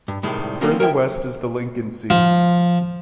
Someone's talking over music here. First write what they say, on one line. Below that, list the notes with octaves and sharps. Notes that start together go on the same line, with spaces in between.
Further west is the Lincoln Sea.
G2
C2 A2 D#3 G3 G#3
F#3 G3 A#3 C4 C#4 D#4
A#4 C#5 E5 G5
F3